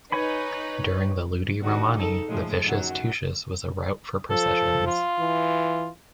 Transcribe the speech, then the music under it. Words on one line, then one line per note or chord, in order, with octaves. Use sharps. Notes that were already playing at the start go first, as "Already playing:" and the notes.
During the Ludi Romani, the Vicus Tuscus was a route for processions.
D#4 B4 C#5 G#5 B5
G2 D#3 F#4
G#2 D#4 A4
A2 F3 G#3
F#2 D#3 F#3
F3 A4
F4
E3